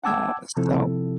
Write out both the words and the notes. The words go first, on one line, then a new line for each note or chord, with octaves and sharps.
uh, so
F#5 G5 A5 D6 E6 G#6
C3 F3 C4 E4 A4